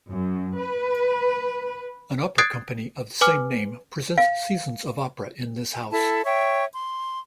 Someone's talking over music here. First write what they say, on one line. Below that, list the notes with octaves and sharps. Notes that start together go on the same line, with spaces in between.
An opera company of the same name presents seasons of opera in this house.
F#2
B4
D#6 F#6 G#6 A6 C7 D7
B4 G#5 D6 F6
F5
E4 A4 A5
C#5 E5 G5 C#6
C6